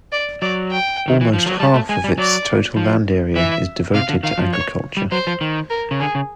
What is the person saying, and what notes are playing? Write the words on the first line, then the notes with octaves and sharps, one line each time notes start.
Almost half of its total land area is devoted to agriculture.
D5
F#3 D5
G5
D#3
E3
F3
F#3
G3 A5
A3
G#3 G#5
G3
F#3 D5
F3
E3 E5
C3 F5
D3
D#3 F5
F3
C#5
G3
F#3 C5
F3
D#3
A#4
C#3
D3 G#4
C#3